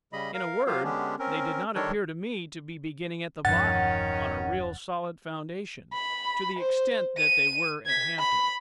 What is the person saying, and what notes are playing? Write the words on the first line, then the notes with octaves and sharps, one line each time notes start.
In a word, they did not appear to me to be beginning at the bottom, on a real, solid foundation, to the extent that they were at Hampton.
C#3 G3 D#5 B5
A#4 F5
F#3 F4 G4 C5 F5
D3 G#3 B3 C#4 D4 G4
C4 C#4 A#4
D#3 G3 D4 A4 A#4 C#5
E1 G2 D#3 F3 C#4 F#5 A6
B5
C5
D#7
G#6 B6
B5